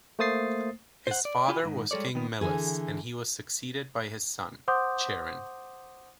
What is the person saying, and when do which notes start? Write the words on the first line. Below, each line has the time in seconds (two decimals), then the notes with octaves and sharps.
His father was King Millus and he was succeeded by his son, Cherin.
0.19 A3 A#3 C5 D#6 A6 C7
1.07 C5 F#5
1.25 D5
1.48 E4 F4 G4 G#5 B5
1.63 G#2 D#3
1.91 G3 G#3 A4 C#5 D5
2.15 D#3 B3
2.41 D3 E3 G#4
4.68 C5 F#5 C6 D6 D#6 G6